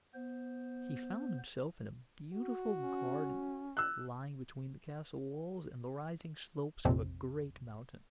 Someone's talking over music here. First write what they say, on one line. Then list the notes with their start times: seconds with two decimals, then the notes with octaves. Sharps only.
He found himself in a beautiful garden, lying between the castle walls and the rising slopes of a great mountain.
0.14 B3 C5
2.33 F#4
2.82 C#4
3.77 E6 F#6
6.85 A#1 F2 C3